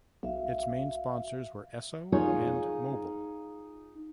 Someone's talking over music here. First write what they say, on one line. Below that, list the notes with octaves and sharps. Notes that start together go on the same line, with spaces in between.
Its main sponsors were Esso and Mobil.
B1 F#4 E5 F5
D#4 F4 G#4 C#5